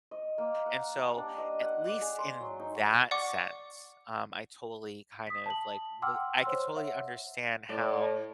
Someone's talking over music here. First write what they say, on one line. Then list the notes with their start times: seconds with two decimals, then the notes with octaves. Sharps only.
And so at least in that sense, um, I totally kind of, like, li I could totally understand how
0.11 D#5
0.38 A#3
0.66 F#5
0.96 G3
1.17 D4
1.38 D#5
1.62 F#5
1.87 D5
2.01 G#4
2.18 C6
2.40 F#3
2.59 D#4
3.11 D5 F#5 C#6 D6
5.27 D#6 B6
5.46 A5 F#7
6.02 F#5 G5 C6 D6 E6 F6
6.44 C5 C#5 C6 E6
6.76 C#5 E5 F#5
7.69 A2 D5